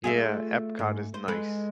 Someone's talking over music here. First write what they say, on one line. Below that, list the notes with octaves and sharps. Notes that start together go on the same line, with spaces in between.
Yeah, Epcot is nice.
A3 F4 G#4
G#2
C5
G#3 A4 B4